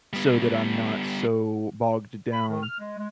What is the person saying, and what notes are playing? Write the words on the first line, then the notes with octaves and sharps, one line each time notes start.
so that I'm not so bogged down
G3 B3
B5
D#3
F6
G#3
G#3